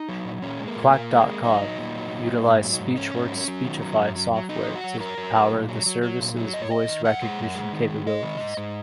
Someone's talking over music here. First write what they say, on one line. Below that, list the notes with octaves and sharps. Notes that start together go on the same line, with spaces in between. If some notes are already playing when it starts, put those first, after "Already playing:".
Quack dot com utilized SpeechWorks' Speechify software to power the service's voice recognition capabilities.
Already playing: D#4
F#3
A#2
A#2 C#4
G#3
A#3
A#2
A#2 A#3
G#3
G#3
F#3 D#4
F#3
A#2
F#3
A#2
A#2
G#2
F#3
G#2
G#2 C#4
G#2
F#3
F#3
D#3
F#3
F#2
F#3
F#3
F#3 D#4
F#3
F#4
F#3
F#3 A#4
F#3
F#3
A#2
F#3
F#3
F#3
A#2
F#3
F#2 D#5
C#5
F#2 D#5
D#3
F#2 F#5
G#3
F#2
G#3
D#3
G#3
G#3 D#5
D#3
G#2
G#2